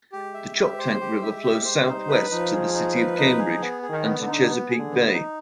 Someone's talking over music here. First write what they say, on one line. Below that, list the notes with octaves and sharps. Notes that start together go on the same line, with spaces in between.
The Choptank River flows southwest to the city of Cambridge and to Chesapeake Bay.
G#3 G4
E5
G4
C5
G4
E5
G4
C5
G3 D#4
B4
F3 D#4
G#4
D#4
B4
D#4
G#4
B3
G#4
D#3
B3
D3
D#4
B3
G#4
D3
B3
D#4